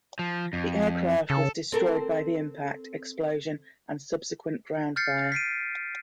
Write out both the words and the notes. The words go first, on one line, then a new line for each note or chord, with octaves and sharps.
The aircraft was destroyed by the impact, explosion, and subsequent ground fire.
F3
F2
C#3 A4
C4 A4 A#4
F6 G6 A6 C7 C#7
B6 C7 D7 D#7